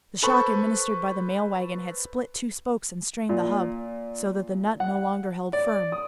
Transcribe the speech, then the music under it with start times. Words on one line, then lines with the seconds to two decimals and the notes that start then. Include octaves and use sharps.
The shock administered by the mail-wagon had split two spokes and strained the hub, so that the nut no longer held firm.
0.23 A4 B4 C5 B5 C#6
3.29 A#2
4.80 F#5
5.53 D5
5.92 D#6